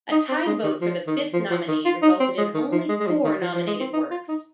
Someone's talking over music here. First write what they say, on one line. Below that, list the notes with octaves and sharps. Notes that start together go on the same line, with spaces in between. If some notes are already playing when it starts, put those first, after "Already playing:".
A tied vote for the fifth nominee resulted in only four nominated works.
D#4
C4
G#3
D#3
F3
D#3
F3
F3
D#3
F4
D#4
C4
G#3
D#3
F3
G#3
G#3
F3
D#3
F3
F3
G#3
C4
D#4
F4
D#4